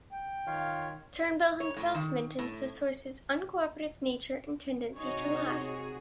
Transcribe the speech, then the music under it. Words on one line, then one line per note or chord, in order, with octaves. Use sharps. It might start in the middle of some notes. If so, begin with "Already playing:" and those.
Turnbull himself mentions his sources' uncooperative nature and tendency to lie.
G5
D#3 F4 C#5 F5
C#5
A2
D#3
A2
C3 D#4 F#4 G#4 A#4 C#5